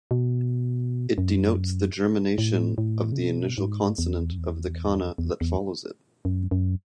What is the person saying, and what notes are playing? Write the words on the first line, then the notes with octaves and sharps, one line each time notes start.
It denotes the gemination of the initial consonant of the kana that follows it.
B2
F#2
A2
A2
C#3
B2
G#2
E2
F#2
E2
E2
E2
F#2
F#2